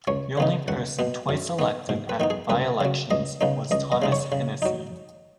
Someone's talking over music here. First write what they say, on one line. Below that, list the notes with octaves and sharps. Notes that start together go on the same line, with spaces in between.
The only person twice elected at by-elections was Thomas Hennessy.
C#2 C#5
C#3 B3 D#4
C#2 F#5
B2 B3
F#2
D#3 B3
G#2
B4
D#3 B3 D#4
G#4
C#2 B4
C#3 F#3
C#2 D#5
C#3 B3 D#4
C#2 D#5
D#5
C#3 G#3 D#4
C#5
C#3
F#3 D#4